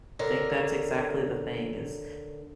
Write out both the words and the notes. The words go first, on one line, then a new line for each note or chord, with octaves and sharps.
think that's exactly the thing is,
D3 A#4 C#5